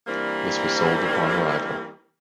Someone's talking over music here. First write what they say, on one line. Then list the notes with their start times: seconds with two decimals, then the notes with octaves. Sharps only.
This was sold upon arrival.
0.07 E3 G3 A#3 C4 D4 A#4